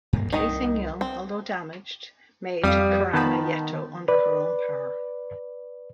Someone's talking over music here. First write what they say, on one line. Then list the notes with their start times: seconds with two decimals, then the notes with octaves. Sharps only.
"Cassin Young", although damaged, made Kerama Retto under her own power.
0.13 G2 A#3
0.33 C2 D#3 D#5
1.01 C4
2.64 F2 G3 F5 D#6
3.13 D#3 B3 A5 B5
4.08 B4 D5